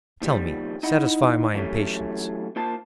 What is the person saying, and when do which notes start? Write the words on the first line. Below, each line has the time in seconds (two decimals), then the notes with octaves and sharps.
"Tell me; satisfy my impatience."
0.22 D#2 F3 G3
0.83 D#4 E4 D#5 F#5 B5
1.54 E3 F#3 A3 C#4 G4
2.56 A#3 F4 C5 A5